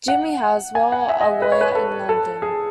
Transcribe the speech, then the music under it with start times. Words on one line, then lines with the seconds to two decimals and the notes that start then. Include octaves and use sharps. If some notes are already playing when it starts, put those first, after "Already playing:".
'Jimmie Haswell', a lawyer in London.
0.08 F#5
0.75 G#5
0.92 F#5
1.09 E5
1.20 D#5
1.42 B4
1.52 C#5
1.61 B4
1.75 A4
2.09 A4
2.42 G#4